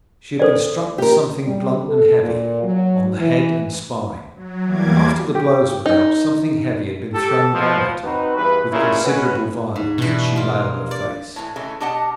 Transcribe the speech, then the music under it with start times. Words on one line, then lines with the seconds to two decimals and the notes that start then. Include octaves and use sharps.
She had been struck with something blunt and heavy, on the head and spine; after the blows were dealt, something heavy had been thrown down at her with considerable violence, as she lay on her face.
0.40 A4 C5 D5
0.98 G4 A#4
1.46 G3
1.88 A4
2.23 A#2
2.63 F#3
3.18 E3
4.34 F#3
4.65 E2 E3 G3 A#3 D6 G#6
5.35 G4
5.86 D#4
7.14 G4 A4
7.54 B2 F3
8.04 C4 D#4 F#4 B4
8.37 E2 G2 B4
8.72 D#2 A#2 C#3 E4 A#4
9.03 G#3 C#4 F#4 B4
9.76 G#2
9.98 G2 B2 E3
10.36 A#3 F4
10.91 D5
11.36 A2 E3
11.56 C#3 E3 G#3 A3
11.80 B2 D4 G4 D#5 F#5 A5